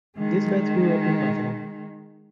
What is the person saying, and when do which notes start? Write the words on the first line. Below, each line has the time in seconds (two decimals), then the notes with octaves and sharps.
Nisbet grew up in Buffalo.
0.17 D#3 G#3